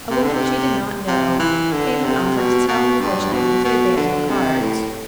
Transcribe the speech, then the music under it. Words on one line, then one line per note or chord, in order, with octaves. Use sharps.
A woman she did not know came and offered to tell her fortune with the abandoned cards.
C3
D3
C3
C3
E3
D3
C3
B2
B2
G2
B2
B2
D3
C3
A2